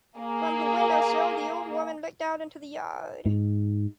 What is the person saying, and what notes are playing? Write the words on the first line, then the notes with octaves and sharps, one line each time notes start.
From her window sill, the old woman looked out into the yard.
A#3 G#4
G#2